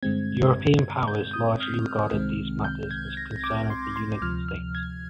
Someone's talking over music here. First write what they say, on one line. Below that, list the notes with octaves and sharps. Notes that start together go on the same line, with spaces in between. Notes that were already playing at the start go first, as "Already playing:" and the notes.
European powers largely regarded these matters as the concern of the United States.
G2 D3 G#3 C4 G#6
G6
D#6
F6
C2 C3 D#3 G#3 C4
G6
G#6
A#6
D6
C6
C6
D2 C3 F3 F6
F6
G#6